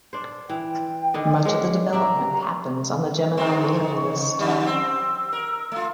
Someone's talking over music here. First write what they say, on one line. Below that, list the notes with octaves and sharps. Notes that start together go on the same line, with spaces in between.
Much of the development happens on the Gemini mailing list.
D4 C5
E3 G5
D3 D#3 D#5
G#3 C#4 D4
D4 G4 E5 A#5
G#2 D#3 C4 C#6
F2 D#3 G3
C4 E6
A#4
A3 F4